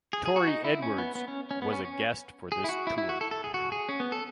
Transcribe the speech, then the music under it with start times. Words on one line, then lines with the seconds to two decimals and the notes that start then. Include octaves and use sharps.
Tory Edwards was a guest for this tour.
0.13 G#4
0.26 G#4
0.36 F#4
0.47 D#4
0.65 E4
0.82 C#4
0.98 B3
1.15 B3
1.28 C#4
1.51 C#4
1.62 B3
1.73 C#4
1.85 C#4
2.52 G#4
2.64 E4
2.69 F#4
2.87 E4
2.98 E4
3.09 F#4
3.21 A4
3.31 A4
3.44 G#4
3.54 F#4
3.72 G#4
3.89 C#4
4.00 B3
4.12 A4